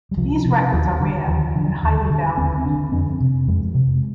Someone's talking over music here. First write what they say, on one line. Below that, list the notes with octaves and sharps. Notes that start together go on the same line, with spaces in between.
These records are rare and highly valued.
G3
C2 F3
C3
D#2
D3
D#2 F3
D3
D#2
D3
D#2 C4
D3 D4
F2 C4
C3
F2 G#3
C3